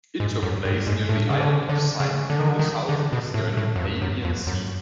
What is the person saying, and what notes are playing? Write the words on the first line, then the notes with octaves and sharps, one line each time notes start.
It took place near the island of Syme in the south-eastern Aegean Sea.
G#2
F#2
G2
G#2
A2
C#3
D3
D3
C#3
D3
D#3
D3
D#3
D3
B2
A2
A2
F#2
F2
F#2
F2
F#2